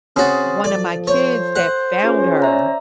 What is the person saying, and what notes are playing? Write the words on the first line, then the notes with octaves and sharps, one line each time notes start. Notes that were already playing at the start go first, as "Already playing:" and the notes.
one of my kids that found her,
C#3 C4 F#4 C6 D#6 A6
F3 A4 D5
C5 C#5
F#5
C#4 F4 G#4 B4
D5 E5 A#5